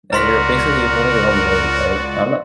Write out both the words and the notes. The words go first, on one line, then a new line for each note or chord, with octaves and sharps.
and you're basically holding your own weight, right? I'm not
C#2 F#4 A#4 D5 A#5 C6 B6